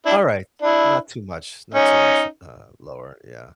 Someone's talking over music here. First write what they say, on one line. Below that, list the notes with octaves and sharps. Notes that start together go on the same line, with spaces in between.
Alright. Not too much not too much, uh, lower, yeah.
D4 E4
D4 E4
C#4 D#4